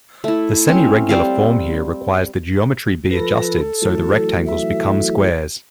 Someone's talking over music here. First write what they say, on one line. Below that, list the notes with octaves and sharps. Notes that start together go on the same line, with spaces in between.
The semiregular form here requires the geometry be adjusted so the rectangles become squares.
A3 E4
C4 C#4
G3 C4 F5
F3 A4 B4 A#6
E3 F#3 A3
E5